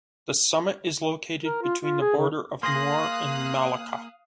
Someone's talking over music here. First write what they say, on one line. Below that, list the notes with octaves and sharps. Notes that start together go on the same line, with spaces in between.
The summit is located between the border of Muar and Malacca.
A#4
F4
F4
G#4
C#3
A#3 G#4 F5 C6 D#6 F#6 A#6